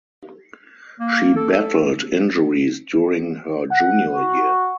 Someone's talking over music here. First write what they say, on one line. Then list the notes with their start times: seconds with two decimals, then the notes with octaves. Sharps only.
She battled injuries during her junior year.
1.00 A#3
1.36 A4
1.52 A4
3.72 F#5
4.15 F#4